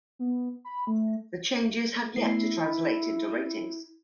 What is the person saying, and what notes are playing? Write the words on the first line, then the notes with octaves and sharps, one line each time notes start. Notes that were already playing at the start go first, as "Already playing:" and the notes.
The changes had yet to translate into ratings.
B3
B5
A3
A3 B3 E4 C7
B5